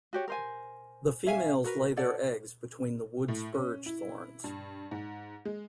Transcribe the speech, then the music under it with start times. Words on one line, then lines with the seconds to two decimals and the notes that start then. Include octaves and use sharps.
The females lay their eggs between the wood spurge thorns.
0.13 F#4 G4 C#5
0.28 A#4 C5 G#5
1.26 C#4 E5 F5 G#5
1.64 F#4 A#4 B4
1.97 A4 C#5 D5 F#5
3.28 A2
3.54 C#4
3.86 E4
4.44 G2
4.91 G#2
5.45 G#3